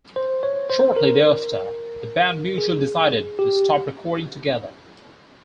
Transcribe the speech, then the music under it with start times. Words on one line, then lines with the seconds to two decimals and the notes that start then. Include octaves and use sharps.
Shortly thereafter, the band mutually decided to stop recording together.
0.16 C5
0.43 C#5
0.70 C5
0.96 A#4
2.58 G#4
3.39 G4